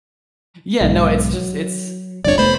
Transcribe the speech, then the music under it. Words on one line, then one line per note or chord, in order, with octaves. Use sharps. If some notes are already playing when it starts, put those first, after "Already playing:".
Yeah, no, it's just it's
B1 G#2
F#3
G1 F2 D4 C#5 D5
F1 A3 B3 C5 B5